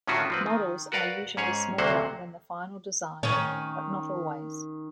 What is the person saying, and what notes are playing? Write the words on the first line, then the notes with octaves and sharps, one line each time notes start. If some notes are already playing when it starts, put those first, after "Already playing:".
Models are usually smaller than the final design, but not always.
A2 D3 D#3 C#4 F4 F#4
F3 C4 B4
D#3
F#4 A#4 B4 D5 F5 F#5
G#2 C#4 G#4 C#5
D2 C3 F#3 A#3 C5 F#5
D#3 C#4